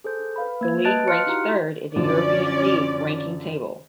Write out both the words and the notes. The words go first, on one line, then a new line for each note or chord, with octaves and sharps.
The league ranks third in the European league ranking table.
G#4 A4 C5 G6
B4 F5 B5
A#3 B4 G#6
B4 D#5 A5 F#6 A6 D7
F5 C6 F6 F#6 C#7
D#4 E4 F#4 G4 A#5 C6
F#2 D3 F3 C#4 D5